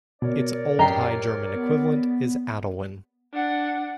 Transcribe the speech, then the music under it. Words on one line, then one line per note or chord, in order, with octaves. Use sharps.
Its Old High German equivalent is Adalwin.
B2 A#4 C#5 D5
F#2 G4 D#5 A#5 C7
B3
D4 F#5